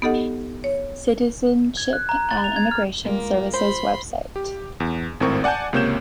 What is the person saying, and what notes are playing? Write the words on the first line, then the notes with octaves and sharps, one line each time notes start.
Citizenship and Immigration Services website.
B3 D#4 G4 A4 D#5 F#5
C#5
G#6
F#6
A#5
A6
F7
G#6
F6
G#3 A#3 F4 A#4
C5 B5 C6
G4
E2
G#1 A2 C4 A#4 C#6
D5 F#5 G#5 A5 G6
C#2 C3 A#3 C#5 G6 E7